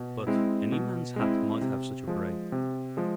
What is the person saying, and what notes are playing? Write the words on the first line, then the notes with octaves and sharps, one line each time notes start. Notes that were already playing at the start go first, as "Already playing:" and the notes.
But any man's hat might have such a break.
Already playing: B2
G#3 C4 E4
B2
G#3 C4 E4
C3
F3 G#3
C3
F3 G#3